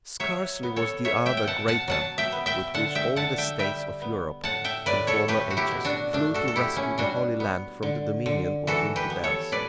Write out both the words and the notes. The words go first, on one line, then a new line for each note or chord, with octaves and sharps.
Scarcely was the ardor greater, with which all the states of Europe, in former ages, flew to rescue the Holy Land from the dominion of infidels.
F#3 C#5 E5
B3
A4 C#5
B2 C#5 E5
E5 G5
G5
B2 F#5 A5
F#5 A5
F#3 F#5 A5
E5 G5
B3
E5 G5
D3 F#5 A5
E5 G5
D3 F#5 A5
E5 G5
G3 E5 G5
B3
A2 F#5 A5
E5 G5
A2 B4 D5
A4 C#5
A3 G4 B4
F#4
E4 G4
B2
D4 F#4
A3 D4
F#4 A4
A4
B2 E4 G4
C#4 E4
G3 D4 F#4
B3
D3
D3
E3 F#4 A4
G4 B4
B3
A4 C#5
A2 B4 D5